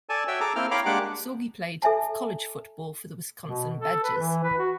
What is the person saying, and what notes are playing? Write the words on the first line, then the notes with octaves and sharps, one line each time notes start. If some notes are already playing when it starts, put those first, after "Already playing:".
Sorgi played college football for the Wisconsin Badgers.
A4 D5 G#5 A5
F#4 C#5 E5 G5 E6
G#4 A4 A5 A#5 D6
A#3 C4 E4 G5 F6
C#5 F5 G5 A#5 B5 D6
G#3 A#3 D4 G4 F#5 D6
A4 E5 G#5 A5
B2
A4
B4
E3
B4
F#4